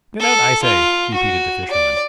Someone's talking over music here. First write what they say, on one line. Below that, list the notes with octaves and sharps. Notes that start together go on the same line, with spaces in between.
"Get out, I say!" repeated the Fisherman.
A4
F4
F#4
D5